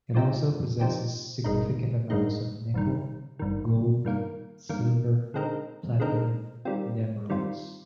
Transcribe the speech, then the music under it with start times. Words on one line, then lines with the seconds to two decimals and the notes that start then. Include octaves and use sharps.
It also possesses significant amounts of nickel, gold, silver, platinum, and emeralds.
0.15 A#2 F3 C4 D#4 G4
0.80 A#2 F3 C4 D#4 G4
1.44 G#1 G2 D#3 G#3 D#4
2.10 G#1 G2 D#3 G#3 D#4
2.74 G#1 G2 D#3
3.39 G#1 G2 D#3
4.05 G2 D#3 A#3
4.69 G2 D#3 A#3
5.34 D3 G#3 C4 D#4 A#4
6.00 D3 G#3 C4 D#4 A#4
6.65 D#3 G3 C4 F4
7.30 D#3 G3 C4 F4